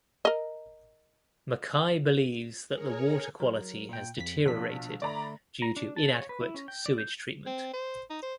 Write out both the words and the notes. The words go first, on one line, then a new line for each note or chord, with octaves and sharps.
Mackay believes that the water quality has deteriorated due to inadequate sewage treatment.
A#4 D#5
G#4 A#4 C#5
F#3 A#4
A#2 G5
F2 B6
A#1 B2 D4 B6
D3 A3 D5 A#5 B5
A#5
D4
A5
C#5
B4
E4
C#4
G5
D5
G6
C4
C5
D#4
C5